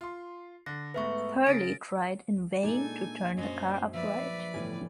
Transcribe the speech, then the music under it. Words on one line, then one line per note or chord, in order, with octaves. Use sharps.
Purley tried in vain to turn the car upright.
F4 C6
D3 A#6
G#2 A3 B3 B4 E5 C#6
C#3 A6 A#6 D7
A#2 G#3 D4 D#4 A4 G#5
F#2 C#4 C5 D#5 A6
F3 B4 D5 E5
G1 A2 E3 G3 G#5